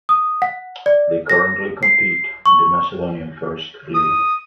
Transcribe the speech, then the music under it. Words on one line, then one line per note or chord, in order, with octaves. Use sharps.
They currently compete in the Macedonian First League.
D#6
F#5
D5
A#6
C7
C#6
D#6